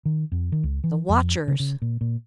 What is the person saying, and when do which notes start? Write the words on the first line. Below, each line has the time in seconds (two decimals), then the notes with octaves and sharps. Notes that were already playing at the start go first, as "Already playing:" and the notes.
The watchers!
0.05 D#3
0.32 F2
0.52 D#3
0.64 C#2
0.84 E3
1.09 F2
1.48 C#3
1.60 C#3
1.82 A#2
2.01 A#2